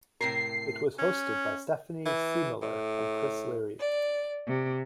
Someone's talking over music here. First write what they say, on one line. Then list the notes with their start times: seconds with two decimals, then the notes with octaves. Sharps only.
It was hosted by Stephanie Siemiller and Chris Leary.
0.21 A2 C3 A#4 C7
0.99 C#4
2.05 E3
2.62 A2
3.79 D5
4.48 C3